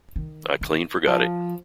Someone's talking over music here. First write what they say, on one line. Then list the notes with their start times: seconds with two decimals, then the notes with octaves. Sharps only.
I clean forgot it.
0.16 D#3
0.61 D#3
1.07 F3